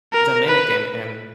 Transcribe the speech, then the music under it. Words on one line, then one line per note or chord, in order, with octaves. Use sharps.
Dominican and
A#4
B4